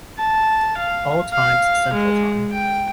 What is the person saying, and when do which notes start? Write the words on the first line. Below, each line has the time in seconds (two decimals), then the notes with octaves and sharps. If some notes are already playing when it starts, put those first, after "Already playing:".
All times Central time.
0.19 A5
0.78 F5
1.33 F5
1.93 G#3
2.51 G5